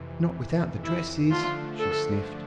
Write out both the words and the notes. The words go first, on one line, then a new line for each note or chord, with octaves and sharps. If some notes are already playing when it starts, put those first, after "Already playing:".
"Not without the dresses," she sniffed.
Already playing: F2 C3 E3
E4
D3 F3 A3 D4 F4
A4